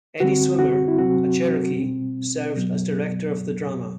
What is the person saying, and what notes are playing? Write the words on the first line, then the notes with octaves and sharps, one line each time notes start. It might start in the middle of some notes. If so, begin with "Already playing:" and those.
Eddie Swimmer, a Cherokee, serves as director of the drama.
D3 G3 C4 F#4
F#4
E4
C3 F#3 C4 F#4
B2 G3 C4
B2 F#3 B3